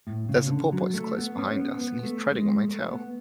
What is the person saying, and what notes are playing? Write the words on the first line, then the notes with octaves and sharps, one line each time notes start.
There’s a porpoise close behind us, and he’s treading on my tail.
A2
C#3
D3
F#3
A3
B3
C#4
B3
B3
A3
A3
G#3
A3
B3